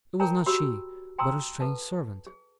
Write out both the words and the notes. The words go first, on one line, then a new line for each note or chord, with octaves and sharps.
It was not she, but a strange servant.
A#4 C#5 G5 A5 A#5
F#4 G4 C#5 B5 E6
G5 A5 A#5 C6 D#6 E6
A4 B4 A5
G#4